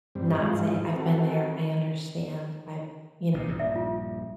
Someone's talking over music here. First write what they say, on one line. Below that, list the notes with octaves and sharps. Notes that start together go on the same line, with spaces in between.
not say, "I've been there, I understand, I've" you kn
G2 G3 C4
G#2 F3 G3 G#3 E4 F4
C4 F#4 A4
A#1 C3
A#1 G2 G3
E5
F4